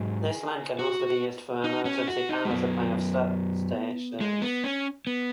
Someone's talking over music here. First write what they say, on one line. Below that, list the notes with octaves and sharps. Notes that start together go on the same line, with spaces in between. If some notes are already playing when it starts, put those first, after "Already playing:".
This line can be also used for emergency power supply of substations.
Already playing: G#2 F#3 G#4
F#4
D#4
C#4
F#4
D#4
G#3
F#2 F#3 B3
G#3
B3
C#4
B3